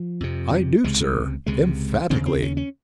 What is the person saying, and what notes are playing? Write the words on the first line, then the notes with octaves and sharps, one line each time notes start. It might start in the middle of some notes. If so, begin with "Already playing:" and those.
"I do, sir, emphatically."
Already playing: F3
F2 C3
C#2 C3 G#3
C#2 C3 G#3
D#2 C#3 C4
C4
C#4
C#4